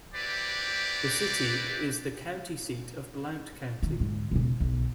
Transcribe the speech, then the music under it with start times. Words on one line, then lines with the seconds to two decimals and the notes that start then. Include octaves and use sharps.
The city is the county seat of Blount County.
0.14 E4 F#4 G4 B4 C5 D5
3.83 D#3
4.00 G#2 D3
4.31 E1 C#3
4.60 B1